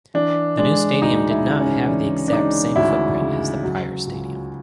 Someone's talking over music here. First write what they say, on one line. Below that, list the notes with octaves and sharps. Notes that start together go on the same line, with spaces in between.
The new stadium did not have the exact same footprint as the prior stadium.
E3 D4
G#3 D4
D2 D#4
E4
C#3
C#4
E3 D4
D4
G#3 D#4
D2 E4
C#3
F#3
C#2